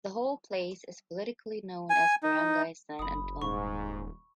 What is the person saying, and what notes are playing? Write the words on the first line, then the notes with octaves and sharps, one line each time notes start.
The whole place is politically known as Barangay San Antonio.
G#5
D#4
F#1 B5 D#6
D#1 G#2 C#6